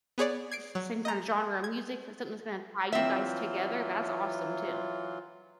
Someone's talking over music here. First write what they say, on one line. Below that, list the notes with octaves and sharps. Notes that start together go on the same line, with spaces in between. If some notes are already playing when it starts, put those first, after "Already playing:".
s same kinda genre of music, something that's gonna tie you guys together, that's awesome too.
B3 G#4 C#5 D5
G#6 C7 D7
F#3
D#5 A#5
G#6
E3 F#3 C4 F4 E5